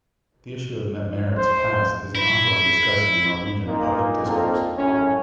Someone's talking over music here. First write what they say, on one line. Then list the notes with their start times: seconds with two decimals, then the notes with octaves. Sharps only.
The issue of Mette-Marit's past is an ongoing discussion in Norwegian public discourse.
1.38 C5
2.15 E4
3.67 A#2 A#3 D#4
4.24 A#3 C4 D4 D#4 F4 A4
4.77 G#1 F#2 A2 C#4